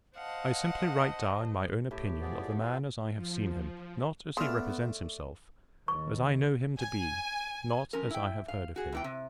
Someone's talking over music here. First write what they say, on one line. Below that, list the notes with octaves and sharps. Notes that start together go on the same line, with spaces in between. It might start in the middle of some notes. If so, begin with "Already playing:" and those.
I simply write down my own opinion of the man as I have seen him, not as he represents himself; as I know him to be, not as I have heard of him.
C5 D#5 F5 F#5 A5
A2 G4
F3 B3 G#4 D5
C4 F4 A4
F3
C#3 A3 B3 D4 A4 C6 F6
D#2 C#6
G#5
F3 C#4 A#4
E4 G5
F5
F#4 G#4
E2 E3 G5
C3